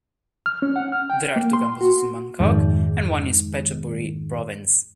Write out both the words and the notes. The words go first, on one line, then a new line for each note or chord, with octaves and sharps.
There are two campuses in Bangkok, and one in Phetchaburi Province.
F6
C#4
F#5
F6
G5
A#3
C6
F#4
F2 G#2 D#3 G#3